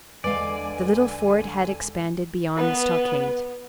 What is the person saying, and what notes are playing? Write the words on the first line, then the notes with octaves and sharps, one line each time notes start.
The little fort had expanded beyond the stockade.
E2 D3 G#3 B4 D5 D#5 F5 G#5
B3 B4